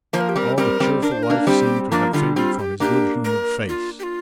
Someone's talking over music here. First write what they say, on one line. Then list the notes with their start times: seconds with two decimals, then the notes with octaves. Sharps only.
All the cheerful life seemed to have faded from his good-humored face.
0.13 F3 A#3 C5
0.21 A#4
0.29 G4
0.36 G3 C4 A#4
0.58 G3 C4 A#4
0.80 G3 C4
1.02 D4 A#4
1.12 C5
1.23 A#4
1.30 A#3 D4
1.47 G3 C4 G4
1.91 F3 A#3 D4
2.13 D3 G3 F4
2.36 G3 C4 F4
2.59 G4
2.80 A#3 D4 G4
3.25 A#4
3.69 F4
3.99 G4
4.03 F4